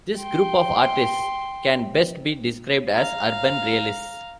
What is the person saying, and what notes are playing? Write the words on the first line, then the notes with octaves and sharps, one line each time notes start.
This group of artists can best be described as urban realists.
G5 C6
F5 A#5